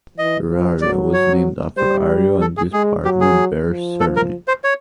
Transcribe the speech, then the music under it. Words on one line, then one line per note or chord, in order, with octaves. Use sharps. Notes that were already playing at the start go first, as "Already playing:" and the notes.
Berario was named after Ario and his partner, Ber Sarnie.
E3 D#5
F3
F#3 D5
C#5
G3 C5
A4
G#4
G#3 G#4
F#3 G4
G#4
F3
A4
A#4
C5
C#5